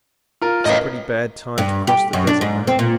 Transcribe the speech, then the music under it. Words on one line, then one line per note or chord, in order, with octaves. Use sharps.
"It's a pretty bad time to cross the desert now."
F4 A#4
A1 A#4 B4 D#5 F5
G2
G4
F#2
D4
G#2
C4
A#2